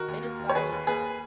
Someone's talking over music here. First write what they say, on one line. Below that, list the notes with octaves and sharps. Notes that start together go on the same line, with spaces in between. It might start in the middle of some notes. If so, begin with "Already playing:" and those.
and it's, like,
Already playing: D#3 F#4 A#4
D#2
A#3
D#2
C#5
D#3 G#4 B4
D#2
A#3 G#4 B4